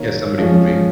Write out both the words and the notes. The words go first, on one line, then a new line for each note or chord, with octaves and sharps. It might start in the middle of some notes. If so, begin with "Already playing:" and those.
Yeah, somebody moving.
Already playing: D#3 A#3 C#4
F3 G#3 C#4